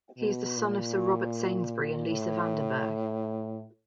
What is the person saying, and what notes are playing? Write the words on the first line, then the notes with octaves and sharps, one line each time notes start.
He is the son of Sir Robert Sainsbury and Lisa van den Bergh.
B2
A#2
A2